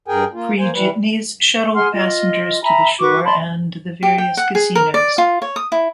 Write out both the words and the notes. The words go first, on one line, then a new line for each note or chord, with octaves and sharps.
Free jitneys shuttle passengers to the shore and the various casinos.
G2 G#4 A#4 G5 G#5
A#3 F4
A#3 C5 G#5
E3 G3 B4
G#4 F#5 C6 F6
F4 D#5
E5 G#5 A#5 B5
F#4 B4 C#6 D6
D5 A5 B5 C6
G4
G5
F#5
G#4
A#4
D5
F4
C#5
D#6
E4